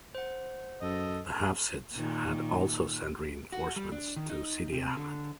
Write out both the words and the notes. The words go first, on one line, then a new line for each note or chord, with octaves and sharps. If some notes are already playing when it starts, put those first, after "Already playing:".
The Hafsids had also sent reinforcements to Sidi Ahmed.
C5 F#5
F#2 A4 D#5
A#2 D#3
F#4
G3
D4
D#3
D#4
C3
D3